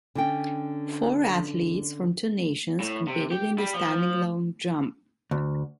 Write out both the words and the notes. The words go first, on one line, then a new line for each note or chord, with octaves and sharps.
Four athletes from two nations competed in the standing long jump.
D3 C#4 G5
A2
C3
G4
G3
F3
D2